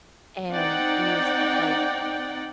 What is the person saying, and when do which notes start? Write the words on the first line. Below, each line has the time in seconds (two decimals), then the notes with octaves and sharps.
and you s like,
0.50 C4 D#4 D5 F#5 G5